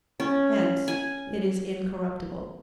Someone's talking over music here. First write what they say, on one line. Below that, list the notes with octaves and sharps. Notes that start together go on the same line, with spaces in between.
Hence it is incorruptible.
C#4
G#5